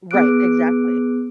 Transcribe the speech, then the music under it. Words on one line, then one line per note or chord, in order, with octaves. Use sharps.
Right, exactly.
B3 G#4 D6 E6 F#6 D7